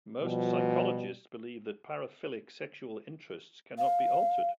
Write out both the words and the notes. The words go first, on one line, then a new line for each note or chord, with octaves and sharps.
Most psychologists believe that paraphilic sexual interests cannot be altered.
B2 F3 G3
F5